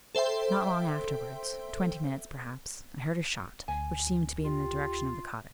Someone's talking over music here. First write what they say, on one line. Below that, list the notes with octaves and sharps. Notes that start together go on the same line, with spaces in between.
Not long afterwards--twenty minutes, perhaps--I heard a shot, which seemed to be in the direction of the cottage.
A4 C5 E5 G5 C6
D2 G#5
F4 G4